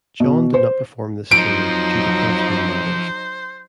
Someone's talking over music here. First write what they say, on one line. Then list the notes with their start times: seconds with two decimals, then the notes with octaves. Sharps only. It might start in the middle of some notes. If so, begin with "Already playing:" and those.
John did not perform this tour due to personal matters.
0.20 B2
0.54 C5
1.31 F2 F3 F#3 D#4 C5 D7